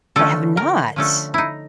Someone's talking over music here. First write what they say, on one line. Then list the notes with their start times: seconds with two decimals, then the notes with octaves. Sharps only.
I have not.
0.16 D3 F3 A3 C#4 A4
0.57 A#4
0.96 D3 F3 A3 C#4 A4
1.34 D#4 E4